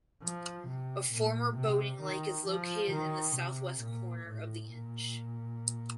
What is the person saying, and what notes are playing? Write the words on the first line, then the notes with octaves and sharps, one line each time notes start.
A former boating lake is located in the southwest corner of the inch.
F3
C3
A#2
C3
D#3
F3
D#3
C3
A#2
A2
A#2